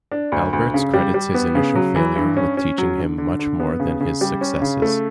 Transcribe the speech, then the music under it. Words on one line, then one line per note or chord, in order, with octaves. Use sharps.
Alberts credits his initial failure with teaching him much more than his successes.
D4
D2
D2
C#3
G3
G3
B3
C#3
F#3
E3
G2
C#4
C#4
F#3
D3
D3
D3
B3
C#3
C#3
G3
C#4
C#3
A3